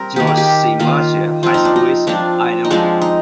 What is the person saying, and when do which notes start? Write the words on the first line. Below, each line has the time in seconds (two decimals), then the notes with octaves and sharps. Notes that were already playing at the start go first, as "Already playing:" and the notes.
George C. Marshall High School is in Idylwood.
Already playing: G3 C4 A#4
0.16 D#3 A#3 G4
0.27 G#4
0.37 G4
0.79 D#3 A#3 F4
1.43 F3 C4 F4
1.54 D#4
1.65 D4
1.76 D#4
2.07 F3 C4 D4
2.65 D#4
2.70 F3 G#3 C4 D4
3.01 D#4